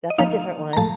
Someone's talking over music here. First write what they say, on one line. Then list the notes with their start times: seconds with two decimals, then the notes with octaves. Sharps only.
that's a different one.
0.10 D#5
0.18 F3 A#3 D#4 F5
0.73 A#5
0.77 A2 F3 A3 A5